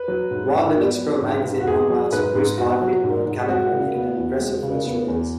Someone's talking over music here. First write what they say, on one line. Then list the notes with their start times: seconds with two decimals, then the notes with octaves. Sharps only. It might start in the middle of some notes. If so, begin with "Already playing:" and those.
While Linux Pro Magazine Online's Bruce Byfield wrote Calligra needed an impressive first release.
Already playing: B4
0.08 F#3
0.31 G#2
0.54 G#2
0.76 B3
0.98 F#3
1.21 G#2
1.44 G#2
1.60 F#4
1.67 B3 G#4
1.90 F#3
2.12 G#2 B4
2.35 G#2
2.58 B3 F#4
2.81 F#3
3.04 G#2
3.26 G#2
3.48 G#3 F#4
3.72 C#3
3.94 B3
4.17 E2
4.40 G#3
4.63 C#3
4.85 B3
5.08 E2